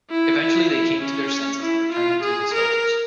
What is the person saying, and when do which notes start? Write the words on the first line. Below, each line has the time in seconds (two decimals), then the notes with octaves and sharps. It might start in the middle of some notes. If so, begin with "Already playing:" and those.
Eventually they came to their senses and returned him to his hosts.
0.11 E4
0.41 E4
0.72 E4
1.02 C#4
1.63 E4
1.92 F4
2.23 G#4
2.54 A#4